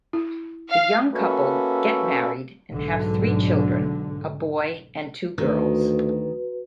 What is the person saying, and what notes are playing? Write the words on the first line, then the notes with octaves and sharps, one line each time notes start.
The young couple get married and have three children, a boy and two girls.
E4
F5
A#3 C#4 F#4 A4 B4 E5
B1 G#2 D3
D2 D#3 F#4 B4